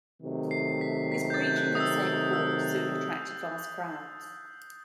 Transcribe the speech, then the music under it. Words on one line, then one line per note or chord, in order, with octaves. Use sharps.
His preaching at Saint Paul's soon attracted vast crowds.
C3 D#3 F#3 A3
C7
B6
B6
G6
A6
G6
F#6
D#6
E6
E6
E6